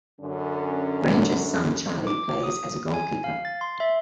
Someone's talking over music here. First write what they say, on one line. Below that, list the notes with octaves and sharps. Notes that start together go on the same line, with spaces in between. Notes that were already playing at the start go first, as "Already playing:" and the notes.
Grainger's son Charlie plays as a goalkeeper.
F#2 D3 C#4
D6
D#6
G#5
F5
A6
C6
E5